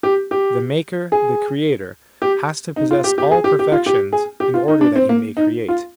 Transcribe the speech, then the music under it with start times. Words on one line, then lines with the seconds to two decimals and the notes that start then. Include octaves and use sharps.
The maker, the creator, has to possess all perfections in order that he may create.
0.03 G4
0.31 G4
1.12 G#4
2.22 G4
2.76 D#4
2.91 F4
3.04 G4
3.18 G4
3.31 G#4
3.44 G4
3.59 G4
3.72 F4
3.86 G4
4.13 G#4
4.40 G4
4.54 F4
4.68 D#4
4.81 D4
4.96 C4
5.09 A#3
5.37 D#4
5.69 F4